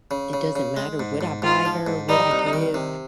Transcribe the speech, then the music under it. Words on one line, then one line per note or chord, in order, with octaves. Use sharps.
It doesn't matter what I buy her, what I give.
C#3
C#3
C#3
G#3
G#2
G#2
G#2 F4
F3
G#2
G3 D#4
C2
D#3
C3